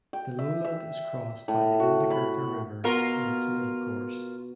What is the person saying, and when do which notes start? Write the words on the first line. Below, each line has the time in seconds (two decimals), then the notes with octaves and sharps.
The lowland is crossed by the Indigirka River in its middle course.
0.13 G5
0.39 E5
0.64 E5
1.48 A2
1.80 F#4
2.10 B5
2.84 B2 F4 A#4